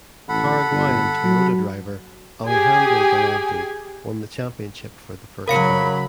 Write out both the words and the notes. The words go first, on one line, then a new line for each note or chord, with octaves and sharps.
Paraguayan Toyota driver Alejandro Galanti won the championship for the first time.
A1 A4 F#5 B5
G1
F#3
G4 G#4 G#5
C#3 F#3 A#4 F5 B5 C#7